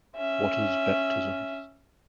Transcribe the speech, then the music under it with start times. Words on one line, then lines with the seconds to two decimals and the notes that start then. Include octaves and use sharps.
What is baptism?
0.16 C#4 E5